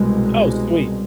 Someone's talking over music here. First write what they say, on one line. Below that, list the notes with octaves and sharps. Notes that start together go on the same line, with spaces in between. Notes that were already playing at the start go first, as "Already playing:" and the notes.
Oh, sweet.
Already playing: C2 B2 G#3